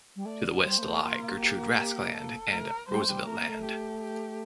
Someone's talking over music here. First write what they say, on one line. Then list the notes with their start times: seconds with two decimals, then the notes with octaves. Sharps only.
To the west lie Gertrude Rask Land and Roosevelt Land.
0.16 G3
0.25 A3 D5
0.63 G3 C5
0.78 A#3
0.82 A3
1.01 A#3 F4
1.38 G4
1.76 G4
2.14 A4
2.51 A3 A#4
2.88 G3 C5
3.02 A3
3.07 G3
3.26 A3 A#4
3.37 A#3
3.49 A3
3.64 G4
4.01 G4